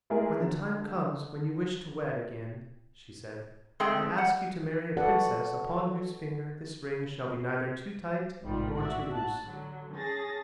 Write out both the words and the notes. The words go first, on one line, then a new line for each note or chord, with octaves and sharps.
"When the time comes when you wish to wed again," she said, "I ask you to marry a princess upon whose finger this ring shall be neither too tight nor too loose."
G#3 A3 E4 G#4 A#4
D3
G#3 A3 C4 G#4 G5
F#5
F#4 A4 B4 D5 F#5
A1 G#2 C3 D#3 G3 F4
F#4 D5 E5
A5 F#6
D3 F#3
C#4 G#4 A5 A6 A#6